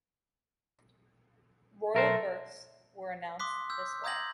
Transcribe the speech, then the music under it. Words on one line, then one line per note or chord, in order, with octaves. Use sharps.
Royal births were announced this way.
B1 A3 A#4 C5
C6 D6 D#6 F#6 B6
E6 G6
A#5 D#6 G6 G#6 A#6 F#7